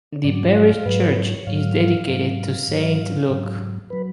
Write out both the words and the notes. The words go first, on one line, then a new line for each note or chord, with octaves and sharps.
The parish church is dedicated to Saint Luke.
G#2 F#3 D5
F5
G#2 F#3 B4
C#5
G#2 F#3 F5
G#2 F#3
G#2 F#3
G#2 F#3
F#3 B4